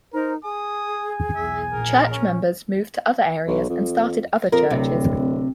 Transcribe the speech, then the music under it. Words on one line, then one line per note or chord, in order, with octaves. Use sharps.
Church members moved to other areas and started other churches.
D#4 A#4 C5
G#4 G#5 D#6
B1 E2 E5
A#1 A#2 A#4
C#4
B1
F2
F2 A#4
D1 C3